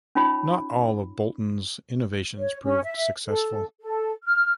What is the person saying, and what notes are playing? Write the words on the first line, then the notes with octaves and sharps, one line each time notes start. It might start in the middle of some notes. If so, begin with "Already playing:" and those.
Not all of Boulton's innovations proved successful.
C#4 D#4 F4 C#5 B5
C#5
C#4
E5
A4
A4
F6